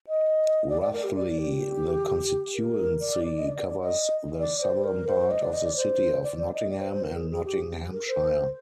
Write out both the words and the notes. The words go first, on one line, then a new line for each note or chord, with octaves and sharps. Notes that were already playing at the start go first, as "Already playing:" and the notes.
Roughly, the constituency covers the southern part of the City of Nottingham in Nottinghamshire.
D#5
D5
D5
A#4
G4
D5
G4
A#4
D5
D5
D#5
D5
D5
D5
D#5
D5
C5
A#4
C5
D#5
D5
D#5
D5
C5
D5
D5
D#5
D5
C5
C5
A#4
G#4
G#4
G4
G#4
A#4
C5